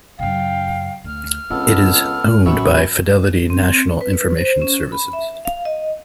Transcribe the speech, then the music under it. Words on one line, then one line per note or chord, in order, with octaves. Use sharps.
It is owned by Fidelity National Information Services.
F#2 C#3 F5 G5
D2 F6
C#2 B3 C4 A4
A1 F#2 B3 B5 C#6 E6
C4
B4
C5
C#4
B5
E5
F5
D#5